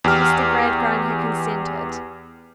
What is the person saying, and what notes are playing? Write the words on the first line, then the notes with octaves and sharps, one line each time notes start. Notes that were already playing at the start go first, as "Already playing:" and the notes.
Mr. Gradgrind had consented.
E2 G4 F6